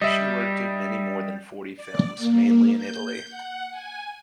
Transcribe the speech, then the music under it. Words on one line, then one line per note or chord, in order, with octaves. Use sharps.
She worked in more than forty films, mainly in Italy.
G3 D#5 E5
D5
A#3
G6
F#5
G#5